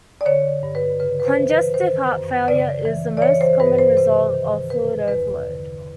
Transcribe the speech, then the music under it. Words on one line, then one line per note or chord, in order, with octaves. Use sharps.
Congestive heart failure is the most common result of fluid overload.
D5
D3 C#5
G2
B4
C#3 B4
B4
C5
E3
B4
D#3 C5
F#2
C#3 D5
E3
D5
E3 C#5
C5
G2 B4
C5
C3 C5
D#3
B2 B4
E2 B4
D3